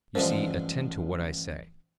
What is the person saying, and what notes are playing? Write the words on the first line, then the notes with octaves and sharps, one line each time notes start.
You see, attend to what I say.
A1 G2 D3 F3 G#3 A#4 C5